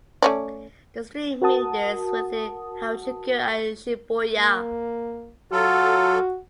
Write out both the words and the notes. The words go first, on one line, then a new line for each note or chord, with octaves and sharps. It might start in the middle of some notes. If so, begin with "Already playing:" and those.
The street meanders within Harajuku and Shibuya.
A3 C#4 D5
F#4 A#4 F#5 A5 D#6
A#3
F#3 F4 F#4 A4